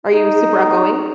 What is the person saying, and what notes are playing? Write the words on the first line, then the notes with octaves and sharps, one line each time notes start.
Are you super outgoing?
D#4